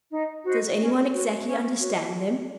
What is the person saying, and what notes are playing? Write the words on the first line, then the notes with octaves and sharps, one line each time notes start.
Does any one exactly understand them?
D#4
F#4 C5 D#5
C#4
F#4 C#5
C#4
F#4 C#5
F4